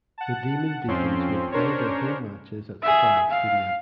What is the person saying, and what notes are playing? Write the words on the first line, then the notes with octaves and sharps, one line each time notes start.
The Demon Deacons will play their home matches at Spry Stadium.
F#5 A5
F2 F3 C4 C#4 C6
C#4 D4 A#4 C5 C#5
G#4 E5
F5